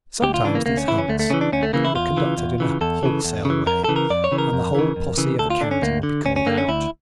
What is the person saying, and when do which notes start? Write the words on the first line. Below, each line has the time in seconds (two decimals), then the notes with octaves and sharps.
Sometimes these hunts were conducted in a wholesale way, and the whole posse of a county would be called out.
0.22 D2 G4
0.34 F4
0.44 C#3 E3 D4
0.55 A#3
0.66 D2 A#3
0.77 C#4
0.88 C#3 E3 E4
0.98 C#4
1.09 D2 A3
1.20 A3
1.30 C#3 E3 C#4
1.41 D4
1.52 D2 C#4
1.63 A3
1.73 C#3 E3 A#3
1.85 E4
1.95 E2 F4
2.17 C#3 E3
2.38 E2
2.60 C#3 E3
2.81 E2 A4
3.03 C#3 E3
3.25 E2
3.45 C#3
3.50 E3
3.67 F2 A#4
3.84 C#3 E3 A4
3.96 A#4
4.10 F2 D5
4.24 C#5
4.32 C#3 E3
4.38 A#4
4.53 F2
4.75 C#3 E3
4.96 F2
5.18 C#3 E3
5.39 D2 A4
5.50 F4
5.61 D3 D4
5.71 C#4
5.82 D2 A#3
6.03 D3
6.25 D2 C#4
6.36 C#4
6.46 D3 A#3
6.58 C#4
6.68 D2 E4